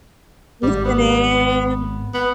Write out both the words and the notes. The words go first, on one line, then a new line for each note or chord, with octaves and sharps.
listen in?
G#1 G3
B3
B3